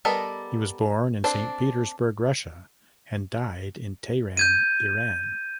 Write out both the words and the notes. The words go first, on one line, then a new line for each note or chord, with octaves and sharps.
He was born in Saint Petersburg, Russia and died in Tehran, Iran.
G3 B3 A4 A#4 D#5
C4 D4 A4 C5
G6 G#6 D#7